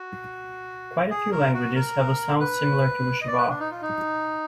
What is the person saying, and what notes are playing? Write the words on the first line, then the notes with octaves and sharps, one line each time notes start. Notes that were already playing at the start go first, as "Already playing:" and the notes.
Quite a few languages have a sound similar to schwa.
Already playing: F#4
G#4
A#4
F#4
A#4
B4
D#5
D5
B4
D4
D#4
F4
D#4